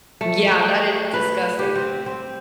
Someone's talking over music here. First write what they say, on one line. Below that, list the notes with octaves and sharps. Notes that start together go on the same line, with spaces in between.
Yeah, that is disgusting.
A3
B4
G4
C4
C4